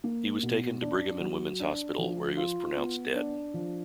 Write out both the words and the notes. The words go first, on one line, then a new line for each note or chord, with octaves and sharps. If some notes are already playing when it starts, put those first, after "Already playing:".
He was taken to Brigham and Women's Hospital, where he was pronounced dead.
A#3
B2
D4
F#3
D4
F3
F4
B3
D4
F3